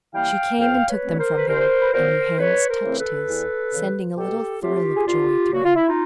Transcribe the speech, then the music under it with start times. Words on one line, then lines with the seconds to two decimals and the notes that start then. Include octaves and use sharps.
She came and took them from him, and her hands touched his, sending a little thrill of joy through him.
0.13 E3 G3 A#3 F5 G5
0.58 F2 F5 G5
0.88 B4 C#5
1.03 D3 F#3 A3 C4
1.18 A#4 C5
1.37 B4
1.48 C2 A#4 C5
1.81 B4
1.93 A#2 F#3 B3 A#4 C5
2.38 F2 B4 C#5
2.68 A#4 C5
2.83 C#3 E3 A3 C4
2.98 A4 B4
3.27 E2
3.72 C#3 E3
4.17 B2 G4 A4
4.62 F#3 A3 C4 F4 G4
4.96 G#4
5.07 C2 F4 G4
5.52 A#2 F#3 A#3 F#4
5.64 F4
5.76 E4
5.88 D#4 F4